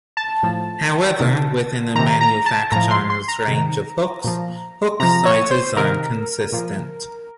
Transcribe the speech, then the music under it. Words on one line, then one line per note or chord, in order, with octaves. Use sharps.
However, within a manufacturer's range of hooks, hook sizes are consistent.
A5
A2 F3
C3 D#3
C3 D#3 A#5
A#5
A5
A2 F3 A#5
C6
C6
A#5
C3 D#3
A#2 F3
C3 F3 A#5
C#5
C5
C3 D#3 A#4
A#2 F3